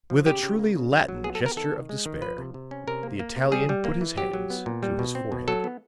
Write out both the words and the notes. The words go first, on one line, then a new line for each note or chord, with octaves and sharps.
With a truly Latin gesture of despair, the Italian put his hands to his forehead.
F3
C#3 G4
C#3
A#3
C#3
F#3
F#3
B3 G#4
A4
B3 A#4
D#3 A4
D#3
G#3
D#3
F3 B4
C3
C3
C#4
C3 A#4
A#3
A#3
C3
G3 G#4
G3
A#3
E3
F#3 G4
F#3
B3
A#2
G3
B2
C4
B2
F#3 A4
B3